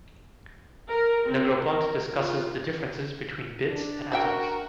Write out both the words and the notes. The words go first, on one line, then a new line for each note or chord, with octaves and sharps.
Negroponte discusses the differences between bits and atoms.
A#4
C4
A#4
F4
D4
C#3 F#4 A#4 E5 G5